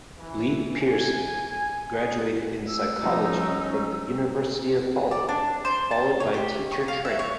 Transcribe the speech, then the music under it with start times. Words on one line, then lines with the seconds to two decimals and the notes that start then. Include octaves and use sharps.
Lea Pearson graduated in Psychology from the University of Hull followed by teacher training.
0.18 E3
0.80 G#5
1.98 G#4
2.67 A3 E6
3.03 F3 G3 A3 C#4 D#4
5.11 D5
5.29 D4
5.65 C5
5.91 A5
6.20 C#5
6.34 G4
6.72 C#6
6.88 F5
7.05 E5
7.19 C#5